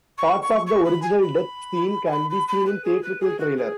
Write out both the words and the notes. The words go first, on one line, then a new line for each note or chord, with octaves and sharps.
Parts of the original death scene can be seen in theatrical trailer.
C#6
C#6
C#6
B5
G#5
B5
G#5
B5
B5
B5
B4
G#4
B4
G#4
F#4
G#4